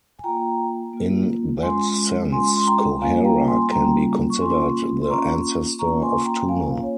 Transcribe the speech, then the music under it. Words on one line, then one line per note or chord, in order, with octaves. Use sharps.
In that sense, Kohara can be considered the "ancestor of tuna".
G#5
A#3 F4 G5 A#5
A#3 F4
G#3 C#4 F4 G#5 C6
G#3 C#4 F4 G#5 C6
C6
G5 A#5
G3 A#3 C#4 F4 F5 G#5
G5 A#5
G#5 C6
G3 A#3 C#4 F4 G5 A#5
C#6
A#3 C#4 F4 G#5 C6
C6
A#3 C#4 F4 A#5 C#6
A#3 C#4 F4 A#5 C#6
G#5 C6
G5 A#5
A#3 C#4 F4 F5 G#5
C#5